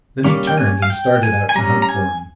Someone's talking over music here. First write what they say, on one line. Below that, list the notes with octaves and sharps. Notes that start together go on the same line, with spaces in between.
Then he turned and started out to hunt for him.
G3 A#3 C#4
G5
G#5
F5
G5
G#5
G#5
G3 C#4 A#5
A#5
G#5